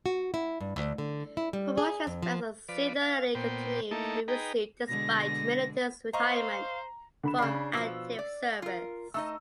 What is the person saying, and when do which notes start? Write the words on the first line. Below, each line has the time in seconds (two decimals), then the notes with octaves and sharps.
Promotions based on seniority continued to be received, despite Middleton's retirement from active service.
0.06 F#4
0.34 E4
0.61 G2
0.76 D2
0.98 D3
1.37 E4
1.53 G3
1.78 G#4
2.07 F2
2.23 F3
2.68 F3 B4 D5
3.01 F5
3.35 A#2 B3 C5 G5
3.91 A3 A#3 D#4 E4 A4
4.28 D#4 G#4 B4 G5 A#5
4.88 B2 D3 G#3 A#6
6.13 C5 D#5 F5 A#5 C#6
7.23 D3 B5 E7
7.38 C#3 D4 B5 C7
7.73 B2 F3 E6
8.19 D5
8.62 F4 A#4
9.14 A3 D#4 D#5 E6